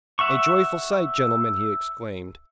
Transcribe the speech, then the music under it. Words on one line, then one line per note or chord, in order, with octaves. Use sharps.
"A joyful sight, gentlemen!" he exclaimed.
E5 F#5 C#6